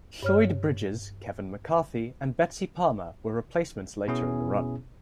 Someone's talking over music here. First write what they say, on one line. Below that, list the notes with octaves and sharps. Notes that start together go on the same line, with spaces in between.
Lloyd Bridges, Kevin McCarthy, and Betsy Palmer were replacements later in the run.
G2 C#5 F6
B2 B3 C#4 E4 G#4